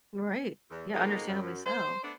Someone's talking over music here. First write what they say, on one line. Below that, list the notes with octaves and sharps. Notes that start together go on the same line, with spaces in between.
Right. Yeah, understandably so.
E2
F2 B2 G#3 A#3 D#4
F#2
C5
A3 B3 D4